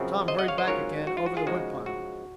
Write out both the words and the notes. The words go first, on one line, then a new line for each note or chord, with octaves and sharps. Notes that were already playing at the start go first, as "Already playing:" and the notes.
Tom hurried back again over the wood pile.
Already playing: F#2 C#3 F3 C4
C5 D#5
D#5 F#5
C#5 F5
C5 D#5
G#2 F#3 C#4 F4 A#4 C#5
F#4
F4
F#4
F4 G#4
C#3 F3 G#3 D#4 F#4
F#4